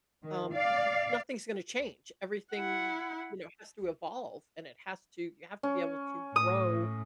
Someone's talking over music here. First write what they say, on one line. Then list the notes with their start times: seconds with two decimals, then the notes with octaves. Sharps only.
um, n n-nothing's gonna change. Everything, you know, has to evolve and it has to you have to be able to grow,
0.23 D#3
0.54 D5 F5
2.53 E4 F#5
5.63 C#4
6.36 A2 D#6